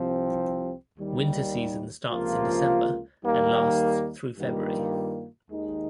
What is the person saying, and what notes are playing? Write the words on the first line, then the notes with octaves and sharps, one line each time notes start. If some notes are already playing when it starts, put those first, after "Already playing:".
Winter season starts in December and lasts through February.
Already playing: C2 C3 F3 C4
D#2 D#3 G3
C#2 C3 F3 A#3 F4
D#2 D#3 G3 A#3
G2 D#3 G3 A#3 F4
D#2 D#3 G#3 D#4